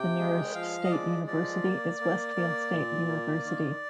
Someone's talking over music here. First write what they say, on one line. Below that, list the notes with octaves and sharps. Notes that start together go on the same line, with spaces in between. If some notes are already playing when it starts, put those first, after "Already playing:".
The nearest state university is Westfield State University.
Already playing: C3 G5
G#3
F3 F5
D#5
G#3 D5
F3 D5
A#3
A#3
A#3
A#2
A#3
D#3